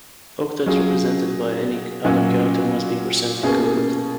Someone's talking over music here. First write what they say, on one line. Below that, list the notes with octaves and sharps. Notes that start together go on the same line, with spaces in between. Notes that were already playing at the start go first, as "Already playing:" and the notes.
Octets represented by any other character must be percent-encoded.
F#3 C#4 F4 G#4
A#2 F#3 C#4 F#4
B2 A#3 C#4 G#4